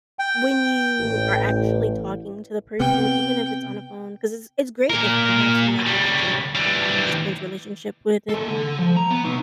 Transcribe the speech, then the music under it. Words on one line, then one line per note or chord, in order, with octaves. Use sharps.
when you are actually talking to the person, even if it's on a phone, 'cause it's it's great if you have somebody that you're in, like, a long-distance relationship with, uh,
G5
A1
C3 B3 G5
A#2 A#4
C#3 G3
E3 G3
G#3 A4
A4 F#5
F3
A#5
B3
D#4 B4